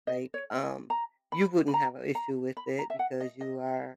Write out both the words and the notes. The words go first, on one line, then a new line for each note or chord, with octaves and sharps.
Like, um, you wouldn't have a issue with it because you are
D#5
C#5
G#5
A#5
B5
B5
A#5
A#5
B5
A#5
E5
F#5
D#5
D#5